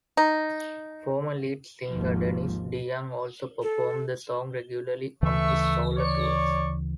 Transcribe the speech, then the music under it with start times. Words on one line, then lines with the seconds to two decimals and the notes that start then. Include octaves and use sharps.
Former lead singer Dennis DeYoung also performs the song regularly on his solo tours.
0.17 D#4
1.90 G#1 D#2 G#2 F3
3.62 A4
5.22 D2 C#3 E3 A3 E5 C#6
5.97 C#5 D5 C#6